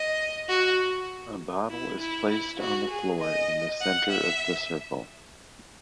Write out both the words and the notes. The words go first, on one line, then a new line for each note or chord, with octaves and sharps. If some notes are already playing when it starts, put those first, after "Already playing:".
A bottle is placed on the floor in the center of the circle.
Already playing: D#5
F#4
E4
E4
E4
F#4
G#4
D#5
F#5
E5